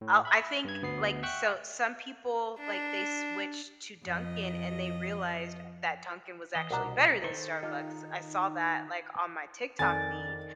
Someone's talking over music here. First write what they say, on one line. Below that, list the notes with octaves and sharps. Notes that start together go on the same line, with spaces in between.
I'll I think, like so, some people, like, they switched to Dunkin' and they realized that Dunkin' was actually better than Starbucks. I saw that, like, on my TikTok feed.
A2
E5 B5
G2 G#6
D2 B3 C7
E5 F#5 G5 C#6 E6 F#6
D4
F2 D#5
E3 D#5
C2 B2 D4 A#4 F#5 A#5
D#3 A4 C5 C#6
D#4 F4 G4 D#5
F2 D#3 D5 G#5 A6